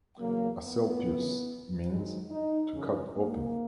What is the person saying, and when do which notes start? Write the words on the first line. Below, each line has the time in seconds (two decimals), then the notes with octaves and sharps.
Asclepius means "to cut open".
0.19 E2 C#3 F#3 A#3
0.61 B3
1.03 F#2 C#3 E3
1.88 G#2 D#3 F#3 G#3
2.30 D#4
2.72 F#2 C#3 E3 C#4
3.14 A#3